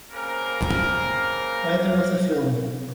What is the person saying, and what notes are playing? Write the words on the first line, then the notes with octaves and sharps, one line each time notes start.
Writer of the film.
C#3 A#3 C4 A#4